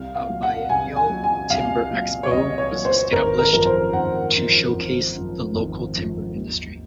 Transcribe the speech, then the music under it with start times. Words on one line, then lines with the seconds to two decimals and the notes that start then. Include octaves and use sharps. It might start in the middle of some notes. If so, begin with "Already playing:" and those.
A biennial Timber Expo was established to showcase the local timber industry.
Already playing: C2 F5
0.15 F5
0.29 A#2 F#3
0.43 F#5
0.69 C2 G#5
0.96 G#5
1.10 A#2 F#3
1.24 G#5
1.50 C2 F5
1.90 A#2 F#3
2.23 C#5
2.31 C2 D#5
2.58 C#5
2.72 A#2 F#3
2.85 C5
3.12 G#1 A#4
3.39 A#4
3.52 F#2 F3 A#4
3.66 C5
3.93 G#1 F#5
4.33 F#2 F3
4.74 G#1
5.14 F#2 F3
5.54 G#1
5.95 F#2 F3
6.35 D#2